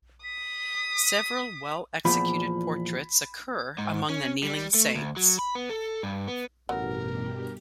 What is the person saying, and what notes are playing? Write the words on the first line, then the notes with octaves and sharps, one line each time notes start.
Several well-executed portraits occur among the kneeling saints.
D#6 B6
E2 A#2 F3 B5
G#2
C#4
G3
A3
D2
F#3
B5
B3
A4
G2
B3
A1 G2 B2 F#3 B3 G4 A#4